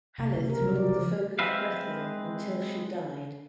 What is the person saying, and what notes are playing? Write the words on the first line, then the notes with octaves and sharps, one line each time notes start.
Haleth ruled the Folk of Brethil until she died.
C3
C#3
A#4
G3
D5
F3
G#3 C4 B4 E5 F5